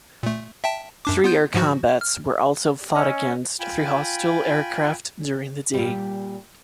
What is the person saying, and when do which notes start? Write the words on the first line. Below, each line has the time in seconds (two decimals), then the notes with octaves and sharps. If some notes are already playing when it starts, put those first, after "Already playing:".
Three air combats were also fought against three hostile aircraft during the day.
0.23 A#2 A3
0.64 E5 G5 A5
1.05 F#2 D4 D6
1.24 B3 F4 G6
1.54 G#2 F3 F#4
2.01 F6
2.95 C#4 D#5 E6 F6
3.60 F4 G5 G#5 B5
5.74 A#2 G3